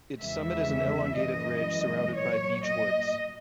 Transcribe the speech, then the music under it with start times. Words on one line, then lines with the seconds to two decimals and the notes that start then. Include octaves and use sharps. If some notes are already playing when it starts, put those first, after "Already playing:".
Its summit is an elongated ridge surrounded by beech woods.
0.19 E2 C#3 E3 G#3 E5
1.17 F#2 E3 G#3 D#5
2.14 A#2 F#3 C#5
2.63 D#5